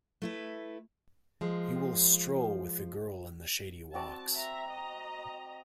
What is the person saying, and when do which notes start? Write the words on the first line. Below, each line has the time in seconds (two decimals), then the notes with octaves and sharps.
You will stroll with the girl in the shady walks.
0.22 A3 E4 B4
1.41 F3 G#3
3.94 C4 F#4 D5 A5
4.34 E5 A#5
4.69 D#5 A#5